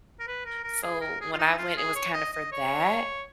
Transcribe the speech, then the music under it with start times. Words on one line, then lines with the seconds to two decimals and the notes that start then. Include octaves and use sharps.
So when I went, it was kinda for that.
0.20 A#4
0.27 B4
0.45 A#4
0.64 A#4
0.83 G#4
1.01 A#4
1.21 G#4
1.33 F4
1.39 D#4
1.58 F4
1.77 G#4
1.96 C#5
2.14 D#5
2.33 D#5
2.52 C#5